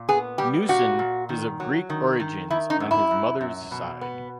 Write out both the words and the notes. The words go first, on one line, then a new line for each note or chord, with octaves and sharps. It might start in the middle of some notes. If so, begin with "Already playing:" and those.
Newson is of Greek origins on his mother's side.
Already playing: A#2
B3 G#4
G3 G4
A#2 F#4
A#2
D#3
F#3
D#3
D#3
D#3 E4
D#4
F#2
E4
F#2
F#2
B2
B3